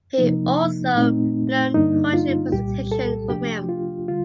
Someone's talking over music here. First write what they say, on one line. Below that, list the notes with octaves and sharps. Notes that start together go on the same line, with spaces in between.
He also learned poetry presentation from him.
C3 F3 A#3 D#4
A#2 A3 C4 D#4
G2 D3 G3 A#3 D4 D#4
F4
C2 A#2 G3 G4
A4
C3 F3 A3 D4 G4
F4
D3 G3 F4